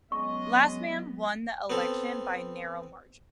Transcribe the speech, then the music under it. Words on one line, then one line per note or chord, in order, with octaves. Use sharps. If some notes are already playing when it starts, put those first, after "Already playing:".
Lastman won the election by narrow margin.
F#3 G#3 B3 C#4 D#5 C#6
B3 C4 A4